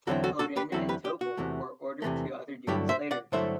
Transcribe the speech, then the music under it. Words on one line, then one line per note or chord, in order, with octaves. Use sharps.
Hoden and Toeppel were ordered to other duties later.
E2 D3 F#3 C4 E4 F#4 A4
F#4 A4
F#4 A4
G4 B4
E2 D3 F#3 C4 E4 F#4 A4
G4 B4
G4
F#4
E2 C3 E3 A3
E2 C3 E3 A3
G2 D3 F#3 A3 E4 G4
C5 E5
D5 F#5
G2 D3 F#3 A3 E4 C5 E5